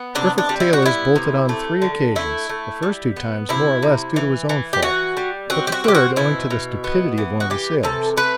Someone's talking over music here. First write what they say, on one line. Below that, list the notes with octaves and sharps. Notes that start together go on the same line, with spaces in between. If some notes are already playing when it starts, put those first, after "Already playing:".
Griffith Taylor's bolted on three occasions, the first two times more or less due to his own fault, but the third owing to the stupidity of one of the sailors.
Already playing: B3
C3 D4
D4
G3
E4
F#4
B3 E4
C3
A3
D3
A3 E4
A3
G3
B3
C3 E4
C3
E3
E3
G4
E3 F#4
G3
C4 F#4
G4
F#4
C4 G4
F#4
B2 E4
B2
B3
E3
F#4
E3 G4
C3 A4
A3 B4